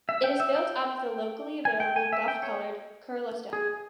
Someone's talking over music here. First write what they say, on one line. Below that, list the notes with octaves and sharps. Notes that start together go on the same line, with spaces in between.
It is built out of the locally available buff coloured Kurla stone.
E5
G5
E5
G5
G#5
G5
G#5
E5
G5
C#5
G#4